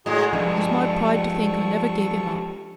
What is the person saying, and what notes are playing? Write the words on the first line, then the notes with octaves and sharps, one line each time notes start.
It is my pride to think I never gave him up.
A2 G#3 F#4 G#4 A#5
G2 F3 G#3 A4 C#6